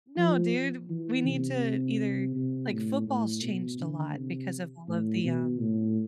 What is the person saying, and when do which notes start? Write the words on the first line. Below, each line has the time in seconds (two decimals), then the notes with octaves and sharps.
"No, dude, we need to either" Like, football's changed a lot because of all of the, um
0.17 F3
0.90 E3
1.26 C3
2.35 C3
2.71 A2
3.07 A2
3.43 B2
3.80 D3
4.16 C3
4.88 A2
5.24 B2
5.60 A2